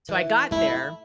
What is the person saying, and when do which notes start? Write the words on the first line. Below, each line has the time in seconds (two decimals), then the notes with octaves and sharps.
So I got there,
0.09 E3
0.51 A3 E4